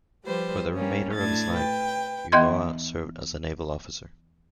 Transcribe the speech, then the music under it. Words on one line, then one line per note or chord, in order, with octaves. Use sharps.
For the remainder of his life, Ulloa served as a naval officer.
F3 G3 B4 C5
G3 A#3 C#4
A2 D4 G#6 A6
B4 G5
D#2 E3 B3 D#5 C6 G#6